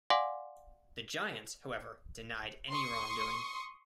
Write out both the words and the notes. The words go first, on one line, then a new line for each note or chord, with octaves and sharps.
The Giants, however, denied any wrongdoing.
D5 F5 F#5 G#5 C6 D6
C6 C#6 D#6